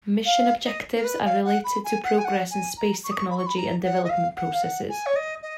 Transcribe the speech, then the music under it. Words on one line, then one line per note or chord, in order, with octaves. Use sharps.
Mission objectives are related to progress in space technology and development processes.
F5
D#5
A#4
B4
F5
F#5
B5
G#5
F#5
G#5
F#5
G#5
A#5
C#6
D#6
C#6
B5
C#6
B5
A#5
F#5
D#5
F5
F#5
F5
F#5
G#5
C#5
D#5
D#5